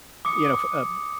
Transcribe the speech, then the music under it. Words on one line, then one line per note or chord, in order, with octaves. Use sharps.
you know, f uh
D6 D#6 C#7